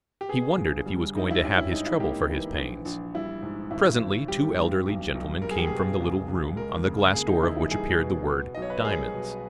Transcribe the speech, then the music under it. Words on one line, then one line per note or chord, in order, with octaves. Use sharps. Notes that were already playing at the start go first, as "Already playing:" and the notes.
He wondered if he was going to have his trouble for his pains. Presently two elderly gentlemen came from the little room, on the glass door of which appeared the word "Diamonds."
G4
B3 G#4
G1
G3
G2 D#4
E4
C#4 G4
E4
G#2 D#4
E4
A#3 G4
E3
A#1
A#1
G3 E4
G#2
G#1 E4
G#1
G3 G4
G2
B1
B1
G3 A#4
G#4
G4
B2 G#4
C#2
C#2
G#3 A#4
C#3
A#3 G#4
D#4
E2 E4
E4
G3 G#4
B2
B3
B1 D#5
C#5
B4
A#4
G3 G#4
B2